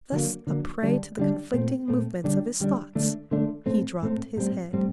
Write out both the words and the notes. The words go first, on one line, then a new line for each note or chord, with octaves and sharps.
Thus a prey to the conflicting movements of his thoughts, he dropped his head.
D3 F#3 A#3
D3 F#3 A#3
D3 G3 D4
D3 G3 D4
A#2 A3 C4
A#2 A3 C4
D3 G3 D4
D3 G3 D4
D3 A3 D4
D3 A3 D4
A2 A3 C4
A2 A3 C4
A2 G3 C4
A2 G3 C4